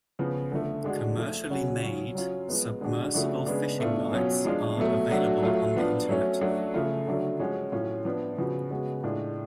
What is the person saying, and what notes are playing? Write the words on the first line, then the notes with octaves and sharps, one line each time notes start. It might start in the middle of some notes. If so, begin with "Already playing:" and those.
Commercially made, submersible fishing lights are available on the internet.
C#3 F3 B3
D3 F3 A3
D3 G#3 D4 F#4
F3 A3 F4
C#3 F#3 C#4 F#4
F#3 C#4 F4
F#3 C#4 F4
F3 G#3 B3
D3 G#3 D4 F#4
C#3 F3 A3 D4 F#4
C#3 G#3 B3 D4
B2 A3 D4 F4
B2 F#3 C#4 F4
F3 G#3 D4 F4
B2 F#3 A3
F#3 A3 D4 F#4
F#3 A3 F4
F3 B3 D4 F4
F#3 A3 C#4
F#3 A3 D4 F#4
C#3 F3 A3 F4
D3 F#3 A3 D4
F3 G#3 C#4 F#4
A2 F#3 C#4 F4
F3 B3 D4
C#3 F3 B3 F#4
C#3 G#3 B3 F#4
A2 G#3 D4 F4